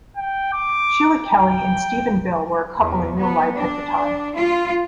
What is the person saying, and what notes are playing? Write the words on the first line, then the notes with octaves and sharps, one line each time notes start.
Sheila Kelley and Stephen Bill were a couple in real life at the time.
G5
D6
G5
E2
B3
D4
F4